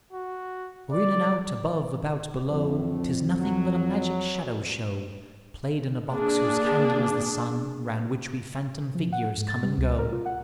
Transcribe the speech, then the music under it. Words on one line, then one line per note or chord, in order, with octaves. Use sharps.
For in and out, above, about, below, 'Tis nothing but a Magic Shadow-show, Play'd in a Box whose Candle is the Sun, Round which we Phantom Figures come and go.
F#4
D5
F2 A2 A3
F#3
C2
A#3 D4 G#4
F3
F#5
G#2
A6
G3
C#2
A#4
F4
F#5